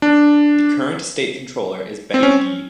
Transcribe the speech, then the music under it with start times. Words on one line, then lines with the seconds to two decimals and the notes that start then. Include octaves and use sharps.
The current state controller is Betty Yee.
0.02 D4
2.14 C4
2.23 C#4